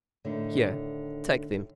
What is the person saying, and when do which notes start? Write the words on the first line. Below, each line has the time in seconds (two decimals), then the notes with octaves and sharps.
Here, take them!
0.25 A2 D3 D#3